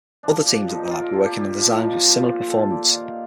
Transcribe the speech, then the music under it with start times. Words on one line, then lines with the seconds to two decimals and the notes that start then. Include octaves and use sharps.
Other teams at the lab were working on designs with similar performance.
0.23 F3 D4
0.46 A#2 G4
0.68 F3 D#4
0.85 D#4
0.91 A#2 F4
1.01 A#4
1.08 A4
1.13 A#2
1.25 G4
1.36 A#2 G4
1.58 F3 F4
1.76 F3 D#4
1.92 F4
2.03 F3
2.08 G4
2.25 A#2 F4
2.47 A#2 A4
2.70 A#2 D5
2.93 D#3 F5